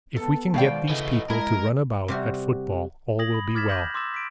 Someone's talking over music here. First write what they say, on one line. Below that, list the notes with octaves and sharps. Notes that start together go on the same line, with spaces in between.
If we can get these people to run about at football all will be well.
B3 A4
B2 D#3 G#3 C5 D5 F5 G5
C#3 E3 A3 D#5
G#3 E4 A#4
C3 G3 F#4
D#6 G#6 A#6 F#7
B5
D6 F6 G#6 A6 B6 E7
G6 A#6 F#7
C6 D6 E6 A6 E7
B6 D7